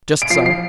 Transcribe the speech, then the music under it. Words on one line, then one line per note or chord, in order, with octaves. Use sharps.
"Just so."
D7
F3 C7
F3 C7